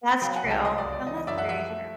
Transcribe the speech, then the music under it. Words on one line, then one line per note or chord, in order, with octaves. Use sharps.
That's true. No, that's very true.
F#3 F5 G5
F#5 G#5
C2
G5 A5
F#3 D#5
D5
C#2
D5
E3 D#5
D#5
F#2 D5 E5
E5 F#5
F3 E5 F#5
A3